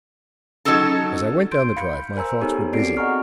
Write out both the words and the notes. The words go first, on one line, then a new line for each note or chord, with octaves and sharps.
As I went down the drive, my thoughts were busy.
F#3 C#4 D#4 A4 A5
C6 G6 D7
F5 B5 G6 C#7
A#4 C5 G#5 A#5 E6
B3 D#4 G4 A4 C#5
C4 F#4 G#4 D5 C7 D7
D#5 F#5 G#5 A#5 C#6 F6